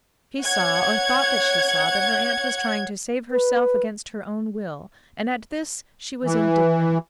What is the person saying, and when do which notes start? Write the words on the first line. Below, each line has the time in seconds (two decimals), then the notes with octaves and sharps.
She saw, or thought that she saw, that her aunt was trying to save herself against her own will, and at this she was indignant.
0.42 C#5 F#5 G#6
3.31 B4
6.25 E3